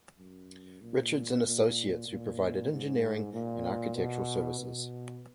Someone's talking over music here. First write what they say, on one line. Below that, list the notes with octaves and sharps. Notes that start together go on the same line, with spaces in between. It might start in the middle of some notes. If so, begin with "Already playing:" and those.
Richards and Associates who provided engineering and architectural services.
F#2
A#2
A#2
A#2
G#2
A#2
B2
B2